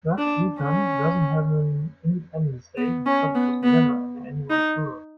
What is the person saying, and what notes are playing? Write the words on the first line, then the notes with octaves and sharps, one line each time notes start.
Thus Bhutan doesn't have an Independence Day because it was never under anyone's rule.
D4
C#4
B3
C#4
B3
B3
D#4